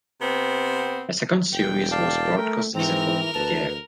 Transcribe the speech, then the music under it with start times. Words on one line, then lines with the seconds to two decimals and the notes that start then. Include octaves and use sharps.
A second series was broadcast the following year.
0.21 C3 B3 C4
1.52 E1 G5
1.92 D5 F5 A5
2.37 A3 A#4
2.74 G#2 E3 C4 A#4 A#5
3.35 D2 B4 A5